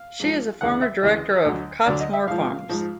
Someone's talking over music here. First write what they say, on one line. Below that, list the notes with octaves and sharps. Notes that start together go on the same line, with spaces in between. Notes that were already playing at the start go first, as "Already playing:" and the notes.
She is a former director of Cottesmore Farms.
Already playing: F5
G#2 F3
D2 C#3 E3 F#5
E5
D2 C#3 E3 D#5
D2 D3 F#3
D2 D3 F#3 D5
D#5
E5
G#2 F3 F5
G#2 F3